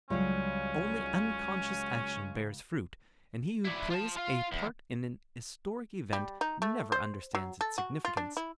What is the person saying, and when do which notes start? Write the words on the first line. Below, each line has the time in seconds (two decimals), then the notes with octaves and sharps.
Only unconscious action bears fruit, and he who plays a part in an historic event never understands its significance.
0.10 C#2 F#3 G3 C#4
3.65 D4 E4
3.91 F4 A5
4.17 F4 F5
4.52 E2
6.13 G3
6.41 D#4
6.62 A3
6.92 C5
7.35 F#3
7.61 A4
7.78 F#4
8.05 F4
8.17 D4
8.37 E4